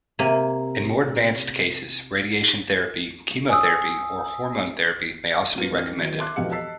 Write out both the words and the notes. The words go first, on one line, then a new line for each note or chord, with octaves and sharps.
In more advanced cases, radiation therapy, chemotherapy or hormone therapy may also be recommended.
C3 A#3 G#5
G#5 D#6 E6
F#3 A#3 B3 F4 D#7
E1 E2 C4 F6
D#3 F#3 B3 E4
E5 A5 C6 D6 F#6
E1 F2 B2 G4 F5 C#7
D#5 A5 E6 B6 C7